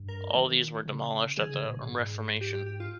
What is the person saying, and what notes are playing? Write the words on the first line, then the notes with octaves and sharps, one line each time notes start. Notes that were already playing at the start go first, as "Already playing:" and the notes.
All these were demolished at the Reformation.
Already playing: G2
A#4
D#3
C#3
D#3 G#4
C#3
A#2
A#2
G#2
G4
G4
G4
F4